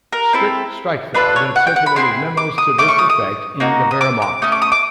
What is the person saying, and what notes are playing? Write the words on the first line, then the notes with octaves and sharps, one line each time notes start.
Strik-Strikfeldt had circulated memos to this effect in the Wehrmacht.
A#4
C4 E4 A4
D4 F4 A4 B4
C#5
F#5
G5
F#5
B5
C4 E4 G#4 C6
D6
D#6
A3 C#4 D6
C#6
D#6
D#6
A#3 D#4 F#4
D#6
D6
D6
A3 C#4 D#6
D6
D#6
D6